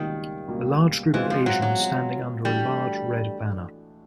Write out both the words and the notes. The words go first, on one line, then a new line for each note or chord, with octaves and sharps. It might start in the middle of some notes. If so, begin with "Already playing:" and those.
A large group of Asians standing under a large red banner.
Already playing: C#2 B2 D#3 G3 A#3
C#2 B2 G3 A#3
B2 E3 G#3 C4 F4
F3
F#3
F#3
B2 G#3 C4 F4
A2 E3 G3 A3 D4 F#4